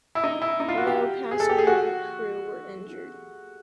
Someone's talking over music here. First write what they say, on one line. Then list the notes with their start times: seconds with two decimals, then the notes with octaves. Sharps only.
No passengers or crew were injured.
0.15 E4
0.24 D#4
0.42 E4
0.60 D#4
0.69 F4
0.78 F#4
0.87 G4
1.31 G#4
1.40 A4
1.49 G4
1.58 G#4
1.67 F#4